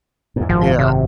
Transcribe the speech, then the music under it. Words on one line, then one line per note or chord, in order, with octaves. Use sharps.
Y yeah,
E2 G#2
G#1 F#2 F3
C3